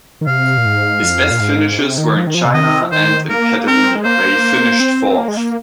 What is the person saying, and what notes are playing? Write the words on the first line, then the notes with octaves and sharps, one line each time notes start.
His best finishes were in China and in Catalunya, where he finished fourth.
D#3
C3 F5
A#2
G#2
F2
A#2
G#2
C3
D#3
F3
D#3
F3
C3
D#3 D#5
F3
D#3 C5
A#3 A#4
C4 A#4
G#3
A#3 C5
A#3
C4
A#3
G#3
A#3